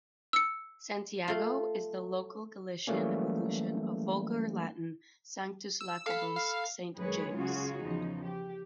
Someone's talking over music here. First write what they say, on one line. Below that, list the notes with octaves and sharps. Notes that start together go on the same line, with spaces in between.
"Santiago" is the local Galician evolution of Vulgar Latin "Sanctus Iacobus" "Saint James".
E6 C#7
A3 F4
E3 F#3 G3 A3 A#3 C#4
E6
A4 F5 B5
F5
F#2 D#3 G#3 G#4 B4 C#5
C#3 F4 F#4 G#4
E2 C#3 F3 D#4
G4